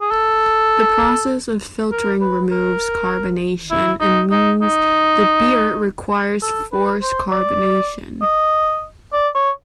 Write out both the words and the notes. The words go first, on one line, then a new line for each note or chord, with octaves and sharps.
The process of filtering removes carbonation and means the beer requires force carbonation.
G#4
A4
A#4
B4
A#4
E4
D#4
D#4
D#4
A4
B4
C5
D5
D#5
D5
C#5